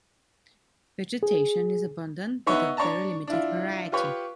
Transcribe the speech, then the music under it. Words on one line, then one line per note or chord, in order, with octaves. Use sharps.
Vegetation is abundant but of very limited variety.
G#4
B3 D#4 C#5 E5 F#5
D4 C#5 D5 A5 A#5
D4 E4 F4
F4 G4 B4 C#5